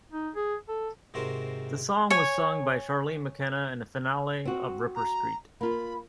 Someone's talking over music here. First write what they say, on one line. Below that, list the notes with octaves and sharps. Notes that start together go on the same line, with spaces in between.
The song was sung by Charlene McKenna in the finale of "Ripper Street".
D#4
G#4
A4
G#2 C3 C4 F#4 A#4 C5
C#5 G#5
C4 F#4
A#5
A#3 F4 B5